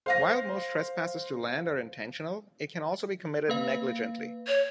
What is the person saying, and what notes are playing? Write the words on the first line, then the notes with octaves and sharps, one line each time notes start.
While most trespasses to land are intentional, it can also be committed negligently.
C5 F5 A#6
A#3 B4 F5
C#5